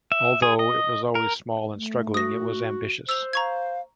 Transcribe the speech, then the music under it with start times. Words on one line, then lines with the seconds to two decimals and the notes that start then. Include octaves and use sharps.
Although it was always small and struggling, it was ambitious.
0.12 E5
0.42 G#4
0.59 D#5
1.15 A#4
1.74 A3
2.14 F#4 D#6 A#6
3.09 C5 E6 F7
3.33 F5 A#5 C#6 G#6